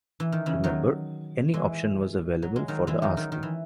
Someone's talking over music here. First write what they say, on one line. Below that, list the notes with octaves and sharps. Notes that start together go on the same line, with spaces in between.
Remember, any option was available for the asking.
E3
D#3
C#3 E3
D#3 F#3
E3 G#3
F#3
G#3
D#3 F#3
E3 G#3
D#3 F#3
D#3
D#3
E3